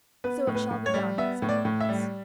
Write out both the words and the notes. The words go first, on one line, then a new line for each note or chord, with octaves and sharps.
"So it shall be done!" said the Prince.
B3 B4
A2
B4
A2
C#5
G3
B3 E5
A2
D5
A2
E5
G3